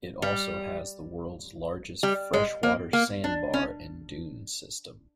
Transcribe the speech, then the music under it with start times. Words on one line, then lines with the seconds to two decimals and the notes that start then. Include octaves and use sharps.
It also has the world's largest fresh water sand bar and dune system.
0.22 G3
2.03 G3
2.33 G#3
2.63 A#3
2.93 A#3
3.24 D4
3.54 C#4